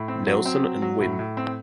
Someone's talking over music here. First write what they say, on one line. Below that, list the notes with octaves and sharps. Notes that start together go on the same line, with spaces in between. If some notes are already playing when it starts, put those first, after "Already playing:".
Nelson and Wm.
Already playing: A2
C4
F#3
C4
F#3
F#3
A2
A2
C4